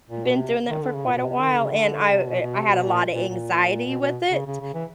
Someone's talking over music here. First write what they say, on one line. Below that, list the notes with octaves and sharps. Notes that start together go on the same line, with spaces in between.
been doing that for quite a while, and I er I had a lot of anxiety with it,
A#2
B2
C3
D#3
D3
C#3
A#2
B2
C3
D#3
D3
C#3
D3
C3
B2
B2
C3
B2
A#2
A#2
A#2
B2
B2
C#3
C#3
C#3
E3